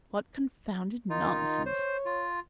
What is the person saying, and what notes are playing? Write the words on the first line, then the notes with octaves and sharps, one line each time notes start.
What confounded nonsense!
D#3 D#4 F4
C5 C#5
F4